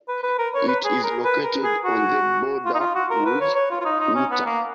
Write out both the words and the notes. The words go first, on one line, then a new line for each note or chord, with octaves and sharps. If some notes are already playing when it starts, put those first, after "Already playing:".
It is located on the border with Utah.
B4
B4
A#4
C#5
B4
G#4
A#4
B4
A#4
G#4
F#4
F4
D#4
F4
F#4
A#4
B4
C#5
C#5
F4
F4
D#4
D#4
C#4
B3
A#3